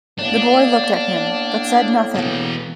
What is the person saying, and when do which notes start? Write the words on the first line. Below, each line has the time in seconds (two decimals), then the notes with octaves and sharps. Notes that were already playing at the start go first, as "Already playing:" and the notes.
The boy looked at him, but said nothing.
0.19 A2 A#3 B3 D4
2.16 B2 E3